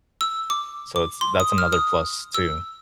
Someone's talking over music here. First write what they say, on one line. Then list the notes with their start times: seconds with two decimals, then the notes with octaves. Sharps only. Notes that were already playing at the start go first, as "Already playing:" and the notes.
So it's that's another plus, too,
0.21 E6
0.50 D6
0.96 D6
1.21 C6
1.40 D#6
1.58 F6
1.73 D#6
2.34 E6